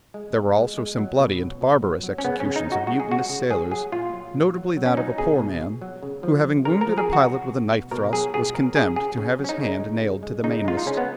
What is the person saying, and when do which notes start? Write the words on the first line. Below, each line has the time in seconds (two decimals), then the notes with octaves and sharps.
There were also some bloody and barbarous executions of mutinous sailors, notably that of a poor man, who having wounded a pilot with a knife thrust, was condemned to have his hand nailed to the mainmast.
0.14 G#3
0.36 B2
0.56 G#3
0.78 G#3
0.99 F#3
1.19 B2
1.40 F#3
1.61 B2
1.82 F#3
2.04 F#3
2.18 C#4
2.24 C#3 B3
2.40 C#4
2.45 C#3
2.56 D#4
2.66 C#3
2.72 F#4
2.87 G#3 F#4
3.00 G#4
3.09 C#3 F#4
3.29 C#3
3.50 F#3 G#4
3.71 F#3 G#4
3.92 A#2 F4
4.13 F#3
4.35 A#2
4.56 F#3
4.77 F#3
4.86 C#4
4.97 F#3 D#4
5.18 B2 G#4
5.40 B2
5.60 B2
5.82 F#3
6.03 C#3
6.23 F3
6.45 F3
6.65 C#3 A#4
6.81 A#4
6.87 F3
6.98 G#4
7.08 C#3
7.13 F#4
7.29 F#3
7.50 B2
7.71 B2
7.91 B2 A#4
8.13 F#3 G#4
8.34 B2 G#4
8.55 F#3 A#4
8.75 C#3 G#4
8.96 C#3 G#4
9.18 C#3
9.39 F#3
9.44 C#4
9.49 D#4
9.60 C#3
9.80 G#3
10.01 C#3
10.23 G#3
10.44 C#3 D#4
10.65 G#3 F4
10.77 D#4
10.86 C#3 C#4
10.97 B3